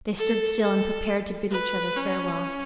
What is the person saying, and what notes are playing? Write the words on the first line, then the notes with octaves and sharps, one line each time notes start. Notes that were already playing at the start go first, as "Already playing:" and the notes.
They stood still and prepared to bid each other farewell.
A4
A4
B4
C#4